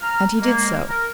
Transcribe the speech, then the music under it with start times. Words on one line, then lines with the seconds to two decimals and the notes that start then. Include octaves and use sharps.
And he did so.
0.01 A#5 F6
0.40 G#3 A#3
0.89 A#4